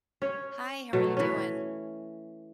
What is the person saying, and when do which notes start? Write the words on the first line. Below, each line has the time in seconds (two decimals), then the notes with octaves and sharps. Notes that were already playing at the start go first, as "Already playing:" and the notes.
Hi, how are you doing?
0.22 C#4 C#5
0.93 B2 F#3 A3
1.17 E3 C#4